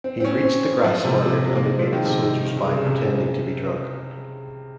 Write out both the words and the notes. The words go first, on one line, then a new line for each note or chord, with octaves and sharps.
He reached the Grassmarket and evaded soldiers by pretending to be drunk.
C4
C4
C#4
C4
F3
C3
C3
C3
A#3
G#3
F3
D#3
C3
C#3
C3
C#3
C#3
C3